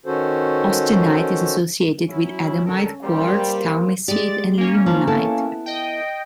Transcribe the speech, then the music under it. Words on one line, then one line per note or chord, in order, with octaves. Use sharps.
Austinite is associated with adamite, quartz, talmessite and limonite.
D#3 C#4 F#4 A4 C5
F#3 C#4 E4
D3 C#4 A4 A#4
G3 A#3 G4 C5
G#3 G4 D5 A6
A#3 C#4
F3
B3 E4 A4
D#5 G5